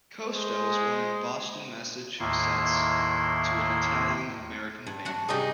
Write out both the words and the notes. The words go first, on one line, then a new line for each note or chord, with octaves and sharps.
Costa was born in Boston, Massachusetts to an Italian American family.
G#3 C5
D#2 A2 D#3 A#3 E4 C6
G2
D4 F#4
C3 G3 D#4 G4 G#4